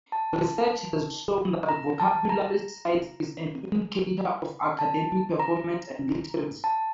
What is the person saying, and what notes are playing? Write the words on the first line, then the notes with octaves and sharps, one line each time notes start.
Research has shown that vocabulary size is an indicator of academic performance and literacy.
A5
A#5
A5
A#5
A5
A#5
A5